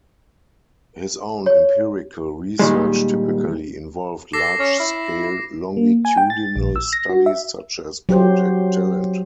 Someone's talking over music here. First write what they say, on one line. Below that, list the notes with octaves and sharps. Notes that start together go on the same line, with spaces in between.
His own empirical research typically involved large-scale longitudinal studies such as Project Talent.
C#5
A#2 D#3 G3 G#3
A4 D6 A#6 C7
C#4
E4
A#3
G#5
G5
A6
A#1
E6
A#6
F#4
E5
F#3 G4 C5